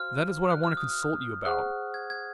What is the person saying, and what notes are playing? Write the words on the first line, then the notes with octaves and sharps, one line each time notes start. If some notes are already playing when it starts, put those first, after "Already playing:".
That is what I want to consult you about.
Already playing: F#4 C5 F5 G#5 C6 F6
F#6
F6
D#6
F6
G#4 C5 F#5 C#6 F#6
G#6
G#6